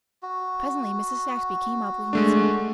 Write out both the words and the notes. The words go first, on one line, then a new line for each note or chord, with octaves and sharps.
Presently Mrs. Saxby came up, looking concerned.
F#4
G#3 A3 D4